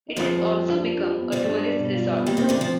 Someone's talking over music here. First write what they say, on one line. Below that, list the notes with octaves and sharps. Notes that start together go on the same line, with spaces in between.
It has also become a tourist resort.
D#4
F2 F3
G#4
G3
G4
D4
D4
G4
B3
G2 G3 C5
D4
D4
B2
F4
B3
D#2 D#3 G4
D#2 D#3 C4
D2 D3
F3 C4